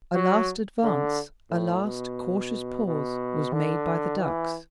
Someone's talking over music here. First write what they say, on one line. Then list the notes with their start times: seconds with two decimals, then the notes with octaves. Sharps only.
A last advance, a last cautious pause, was made by the ducks.
0.15 F#3
0.83 D3
1.51 A2
1.84 B2
2.87 B2
3.53 D3
4.21 E3